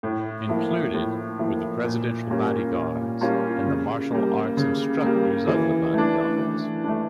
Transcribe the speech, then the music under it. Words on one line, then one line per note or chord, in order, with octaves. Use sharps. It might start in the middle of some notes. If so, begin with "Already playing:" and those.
Included were the presidential bodyguards and the martial arts instructors of the bodyguards.
A2
F3 A#3 E4
A2
F3 A#3 E4
A#2
G3 A#3 C#4 F4
A#2
G3 A#3 C#4 F4
C#3
G3 A#3
C#3
G3 A#3
E3
A3 D4
E3
A3 D4